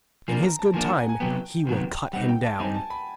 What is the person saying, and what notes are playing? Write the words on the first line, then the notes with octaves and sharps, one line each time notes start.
In His good time He will cut him down.'
F3 A#3 D4 G#5
A#5
A5
F3 A#3 D4 G#5
F#5
G#5
G#5
C3 D#3 F#3 B3 G5
C3 D#3 F#3 B3
G3 C4 D#4 F#5
G5
A5
G3 C4 D#4 G#5
A5
B5